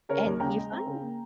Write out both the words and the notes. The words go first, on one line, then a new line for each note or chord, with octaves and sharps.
And you find
C#3 A#4 C#5
D#2
C#3 G5 A#5
G#3
C4
C#3
A#3